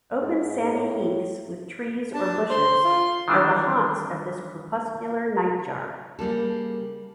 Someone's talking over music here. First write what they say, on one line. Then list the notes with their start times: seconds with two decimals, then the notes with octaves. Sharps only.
Open sandy heaths with trees or bushes are the haunts of this crepuscular nightjar.
0.22 G#2
0.73 A2
2.14 D4 A5
2.50 C5 C6
2.84 F4
3.28 D#3 E3 G3 D4
6.19 C#3 G3 A#3 A4